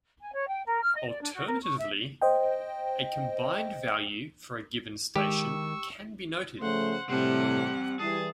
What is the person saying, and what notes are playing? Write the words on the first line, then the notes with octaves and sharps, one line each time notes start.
Alternatively, a combined value for a given station can be noted.
G#5
C#5
G5
A#4
F6
D#5
D5
D4
F#4
A#4
C#6
E5
C5 D#5 G5
D#3 G#3 G4 C#6 E6
C#3 F3 A3 C5 F#5
A2 C3 G3 C4 F#5 A5
E3 G3 G#4 A5